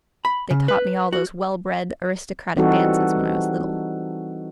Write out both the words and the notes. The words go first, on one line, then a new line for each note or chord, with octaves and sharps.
"They taught me all those well-bred, aristocratic dances when I was little...."
B5
C#3
B4
F#4
E3 G3 C4 D#4 F#4 A4